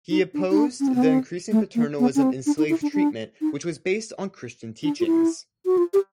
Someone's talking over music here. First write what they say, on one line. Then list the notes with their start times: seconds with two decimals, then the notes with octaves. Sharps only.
He opposed the increasing paternalism in slave treatment which was based on Christian teachings.
0.10 D#4
0.34 D4
0.51 D#4
0.57 D4
0.80 C#4
0.88 C4
0.95 B3
1.02 C4
1.51 A3
1.75 A#3
1.99 B3
2.15 C#4
2.22 C4
2.46 D4
2.58 D#4
2.70 E4
2.82 D4
2.93 D4
3.41 D#4
4.83 D4
5.00 F4
5.06 E4
5.66 F#4
5.78 F4
5.93 G4